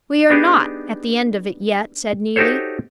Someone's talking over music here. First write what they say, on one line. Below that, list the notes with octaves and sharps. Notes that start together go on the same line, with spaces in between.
"We are not at the end of it yet," said Neelie.
B3 D4 D#4 G4 G#4
D#4 F#4 G4 A4 C5 C#5